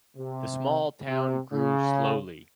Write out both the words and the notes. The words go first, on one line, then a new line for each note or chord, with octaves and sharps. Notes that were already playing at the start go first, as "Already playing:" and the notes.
The small town grew slowly.
C3
C3
C#3